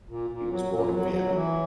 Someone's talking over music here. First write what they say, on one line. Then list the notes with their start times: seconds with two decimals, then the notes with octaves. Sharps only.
He was born in Vienna.
0.09 A#2
0.30 A#2
0.50 F#3
0.71 A#2
0.92 F#3
1.12 F#3
1.33 E3